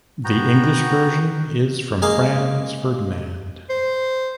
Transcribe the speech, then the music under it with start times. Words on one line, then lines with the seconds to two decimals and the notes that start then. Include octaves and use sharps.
The English version is from "Franz Ferdinand".
0.24 B3 F#4 G5 A#5
2.02 G#3 A#3 G#4 F5
3.70 C5